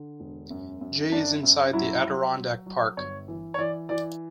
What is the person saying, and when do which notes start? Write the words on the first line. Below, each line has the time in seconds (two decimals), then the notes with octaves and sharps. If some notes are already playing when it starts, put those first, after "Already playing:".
Jay is inside the Adirondack Park.
Already playing: D3
0.20 E1
0.50 F#2
0.81 F#2
1.12 F#2 D4
1.43 F#2
1.73 F#3 E4
2.04 F#3
2.35 F#3
2.66 F#3
2.97 G1 C#5
3.28 E3
3.54 C#5
3.58 E3 D5
3.89 E3 D5